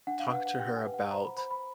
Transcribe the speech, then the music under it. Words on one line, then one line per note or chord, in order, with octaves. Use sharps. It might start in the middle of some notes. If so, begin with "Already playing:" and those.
talk to her about
D4 F#5
F5
B4 F#5
F#5
G4 G5
G#5
B4
F#5
C5 A#5
B5
C5 B5
B5